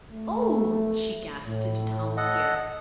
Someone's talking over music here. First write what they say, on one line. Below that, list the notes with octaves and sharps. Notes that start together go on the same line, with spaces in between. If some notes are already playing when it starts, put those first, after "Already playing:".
"Oh!" she gasped into Tom's ear.
A3
A2
A4 D#5 F#5